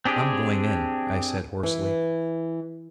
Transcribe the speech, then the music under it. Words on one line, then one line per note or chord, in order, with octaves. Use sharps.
"I'm going in," I said hoarsely.
C4 D4 G4 G#4
E3